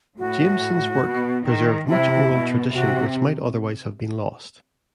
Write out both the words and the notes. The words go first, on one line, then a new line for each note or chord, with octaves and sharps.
Jamieson's work preserved much oral tradition which might otherwise have been lost.
A2 F#4
B2
D#3
C3 E4
B2
C3 F#4